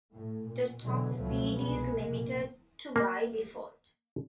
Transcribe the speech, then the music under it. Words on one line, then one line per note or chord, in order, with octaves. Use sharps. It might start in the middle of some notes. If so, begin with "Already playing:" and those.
The top speed is limited to by default.
A2
A#2
B2 D3 E3 F#3 G#3 B3
C#2 B2 F3 F#3 A3
C2 G#3 B3
F1 A#1 A#3
A#3